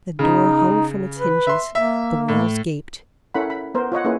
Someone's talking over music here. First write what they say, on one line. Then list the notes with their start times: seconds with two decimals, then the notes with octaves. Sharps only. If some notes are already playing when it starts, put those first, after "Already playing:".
The door hung from its hinges, the walls gaped.
0.19 C#3 D#4
1.19 B4
1.47 E5 C6
1.75 A#3 E5
2.28 A2
3.34 C#4 E4 A4 A#4 F#5 B5
3.50 B5
3.74 B3 A#4 C5
3.92 F4 C#5 D#5 F#5
4.05 A#3 C#4 E4 G#4 B4